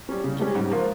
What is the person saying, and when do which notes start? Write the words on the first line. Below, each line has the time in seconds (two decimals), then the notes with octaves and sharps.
and I would
0.09 G3 C#4
0.24 C#3
0.39 G3 C#4
0.55 G#2
0.71 F3 A#3 F4